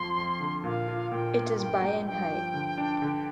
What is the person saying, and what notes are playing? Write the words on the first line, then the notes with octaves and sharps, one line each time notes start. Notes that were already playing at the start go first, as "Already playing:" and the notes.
It is by and high.
Already playing: F2 F3 C6
F2
D3
A#2 F5
F4
A#2 G5
A#3
G2 G5
A#3
G2 G5
F3
D3
D4
D3